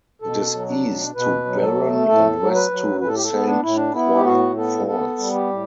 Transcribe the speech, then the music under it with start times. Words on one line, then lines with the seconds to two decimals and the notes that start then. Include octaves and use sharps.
It is east to Barron and west to Saint Croix Falls.
0.22 B2 A4
0.53 F#3
0.69 D4
0.84 B2
1.14 B2 B4
1.45 F#3
1.61 A4
1.77 A3
2.07 A2 A4
2.39 F#3
2.55 B4
2.71 F#3
3.01 A2 B4
3.08 A4
3.15 G4
3.24 A4
3.32 B3
3.47 D4
3.62 A2 E4
3.76 D4
3.94 B3 E4
4.15 G4
4.25 A2 F#4
4.56 B3 A4
4.87 B3 A4
5.18 G3
5.34 G4
5.50 A2